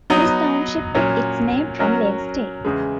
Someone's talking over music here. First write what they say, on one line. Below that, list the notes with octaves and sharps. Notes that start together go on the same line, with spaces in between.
This township took its name from Lake Stay.
F#3 B3 D#4
A#2 F#3 C#4
F#3 C#4 F#4 A#4
E2 C#3 G#3